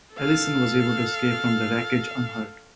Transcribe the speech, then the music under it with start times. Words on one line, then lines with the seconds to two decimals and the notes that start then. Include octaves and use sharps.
Ellyson was able to escape from the wreckage unhurt.
0.14 A4 F5